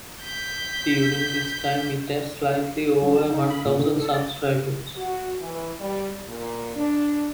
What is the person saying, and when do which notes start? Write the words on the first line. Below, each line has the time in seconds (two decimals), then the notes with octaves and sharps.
During this time it had slightly over one thousand subscribers.
0.23 G6 B6
3.02 F#3
3.15 A5
3.30 D#4
3.50 B5
3.66 A#2
3.79 D3
4.00 A4
4.13 D5
4.96 F#4
5.41 E3
5.80 G3
6.28 A#2
6.75 D4